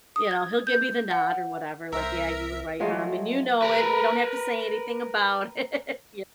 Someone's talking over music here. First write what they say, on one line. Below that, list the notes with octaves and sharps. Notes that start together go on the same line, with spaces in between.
you know, he'll give me the nod or whatever, like, "Yeah, you were right, mom, and you know it; we don't have to say anything about it," y
D#6
G#6
G6
F#5
C2 A#4 C5 E5 A#5
F3 F#3 G#3 A3
A#4 B4